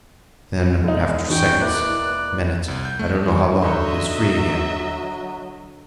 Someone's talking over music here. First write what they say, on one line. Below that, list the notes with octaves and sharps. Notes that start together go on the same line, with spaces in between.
Then, after seconds--minutes--I don't know how long--he was free again.
E1 D#4
E2 G#2 D4 F#4 G5
A#3 E4 A#4 B4 D5 F#6
C2
G6
A3
D4
E3
D3 F#3 D#4 C#5 D#5 E5